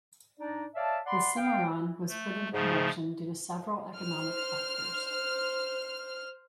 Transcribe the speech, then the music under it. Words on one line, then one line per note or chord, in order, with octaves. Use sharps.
The Cimarron was put into production due to several economic factors.
D4 D#4 D5
C#5 D5 E5 F5 A5
D5 F#5 B5 C6
F5 G5
A3
G#2 C#3 F3 A3
C5 F6